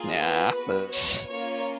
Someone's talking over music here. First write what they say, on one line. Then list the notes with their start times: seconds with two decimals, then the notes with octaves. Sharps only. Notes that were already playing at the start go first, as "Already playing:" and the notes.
yeah, that's
Already playing: A#3 F4 G#4
0.17 B4
0.54 B3 F#4
0.92 C#5
1.29 A#3 C#4 F4 C#5